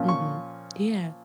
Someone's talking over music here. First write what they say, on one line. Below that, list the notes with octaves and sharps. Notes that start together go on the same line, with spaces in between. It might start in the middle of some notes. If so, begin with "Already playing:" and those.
Mhm, yeah.
Already playing: A#2 F3 A#3 C#4
C#6